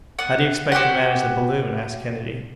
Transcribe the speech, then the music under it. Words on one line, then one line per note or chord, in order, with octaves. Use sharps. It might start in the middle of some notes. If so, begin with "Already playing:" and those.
"How do you expect to manage the balloon?" asked Kennedy.
B3 F#5
F#4 G4 C5 F#5